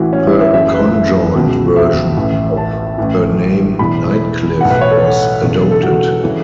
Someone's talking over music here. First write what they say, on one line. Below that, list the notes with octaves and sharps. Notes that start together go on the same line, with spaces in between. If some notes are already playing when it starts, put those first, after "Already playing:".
The conjoint version of the name, "Nightcliff" was adopted.
Already playing: A1 A2 E3 F#4
C#4
E4
E5
F#1 F#2 E3 E5
B4
E5
C#2 B2
E5
A1 A2 E3
A5
A1 A2 E3
E1 E2 E3 B5
B1 A2 E3 F#5
B4
C#5
A4
E1 E2 C#3 E3
A4
F#4
C#3 E3